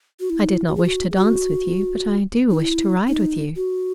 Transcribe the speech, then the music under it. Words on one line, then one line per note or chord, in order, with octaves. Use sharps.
I did not wish to dance with you, but I do wish to ride with you.
F#4
E4
D#4
E4
F#4
G#4
F#4
G#4
F#4
D#4
E4
D#4
F#4